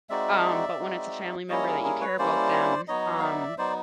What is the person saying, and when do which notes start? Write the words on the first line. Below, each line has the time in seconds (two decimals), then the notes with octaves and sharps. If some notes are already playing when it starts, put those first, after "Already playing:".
Um, but when it's a family member that you care about them, um
0.09 G#3 C4 D#4 F#4 D5 E5
0.79 G#3 C4 D#4 F#4
1.49 G3 A#3 C#4 E4 C#5 D#5
1.67 G#4 A#4
1.84 G#4 A#4
2.01 B4 C#5
2.19 G3 A#3 C#4 E4 C5 D5
2.88 F#3 B3 D#4 C#5 D#5
3.19 F5
3.24 D5 E5
3.58 F#3 B3 D#4 C5 D5